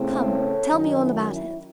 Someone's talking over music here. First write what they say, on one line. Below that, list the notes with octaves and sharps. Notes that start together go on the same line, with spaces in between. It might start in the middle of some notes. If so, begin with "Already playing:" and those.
"Come, tell me all about it."
Already playing: E2 C#3 E3 A3 C4
A4 C#5
F#2 D#3 F#3 C#4 D#4
E4
E4